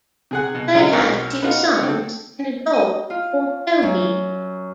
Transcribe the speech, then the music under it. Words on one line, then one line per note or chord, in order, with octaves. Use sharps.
They have two sons, and a dog called Toby.
C3 G#4 F#5
B2
D3 F#3 G#3 C#4 D#4 E4
B1 C4 F#4 A#4
B3 D#4 F4 F#4
D3 C4 A4
D#5
F4
F#2